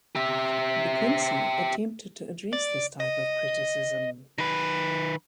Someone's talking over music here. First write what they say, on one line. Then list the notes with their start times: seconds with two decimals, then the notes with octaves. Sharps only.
De Quincey attempted to address this type of criticism.
0.15 G4 E5
2.53 D5
3.00 D#5
4.38 D#3 B4